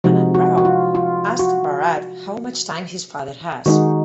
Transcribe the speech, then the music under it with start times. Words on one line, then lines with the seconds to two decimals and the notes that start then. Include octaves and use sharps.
Anand Rao asks Bharath how much time his father has.
0.04 C3 F3 G#3 D#4 F#4
0.34 F#4
0.58 F#4
0.65 F4
0.95 F4
1.39 F#4
3.66 D#3 G#3 D#4 F#4